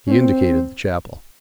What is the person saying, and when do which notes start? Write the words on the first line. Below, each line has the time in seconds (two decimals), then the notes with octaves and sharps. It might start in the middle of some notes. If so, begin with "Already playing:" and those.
He indicated the chapel.
0.07 C#4
0.12 C4